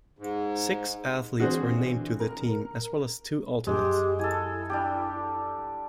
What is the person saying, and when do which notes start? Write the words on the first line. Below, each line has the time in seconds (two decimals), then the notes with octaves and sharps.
Six athletes were named to the team as well as two alternates.
0.19 G#2
1.40 D3 E3 C4 F#4 G#4 C5
2.20 A#4
3.67 F#2 G#3 G4
4.19 E4 A4 G#5
4.70 G3 D4 G4